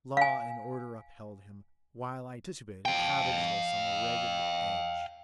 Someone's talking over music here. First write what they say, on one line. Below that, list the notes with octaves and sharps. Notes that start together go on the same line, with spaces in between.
Law and order upheld him, while I titubated, cabbageless, on the ragged edge.
F5 G#5
F5 G5